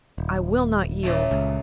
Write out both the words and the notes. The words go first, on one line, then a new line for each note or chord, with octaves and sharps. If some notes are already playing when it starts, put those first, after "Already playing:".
I will not yield.
D#1
A#2 C#3 A3
C#2